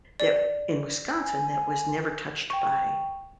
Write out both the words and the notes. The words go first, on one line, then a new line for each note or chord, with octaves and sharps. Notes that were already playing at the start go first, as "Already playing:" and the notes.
that in Wisconsin that was never touched by,
D5
G#5
G5 C#6